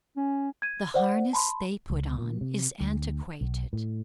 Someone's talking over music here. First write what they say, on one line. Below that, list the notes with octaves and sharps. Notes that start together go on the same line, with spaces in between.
The harness they put on is antiquated.
C#4
G#6 D#7
C5 D5 F#5
A5 B5 C6
C#2
A#2
C3
D2
B1
A2